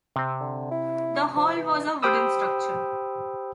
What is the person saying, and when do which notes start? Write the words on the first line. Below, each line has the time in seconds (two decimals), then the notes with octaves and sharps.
The hall was a wooden structure.
0.16 C3 C4
0.40 D3
0.71 E4
1.37 F3
1.56 E3
2.03 G4 C5 G5 B5 D#6 E6